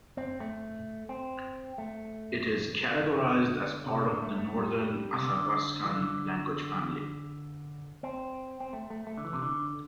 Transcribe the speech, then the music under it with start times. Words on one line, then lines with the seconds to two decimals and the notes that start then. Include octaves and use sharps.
It is categorized as part of the Northern Athabaskan language family.
0.17 C4
0.40 A3
1.09 C4
1.78 A3
3.12 E3
3.18 D3
3.86 C3
4.04 D3
4.22 A3
4.38 A3
4.57 G3
5.14 C3
5.25 D3
5.84 E3
5.96 D3
8.03 C4
8.60 C4
8.73 A3
8.90 A3
9.07 A3
9.17 D3
9.25 E3
9.33 C3
9.42 D3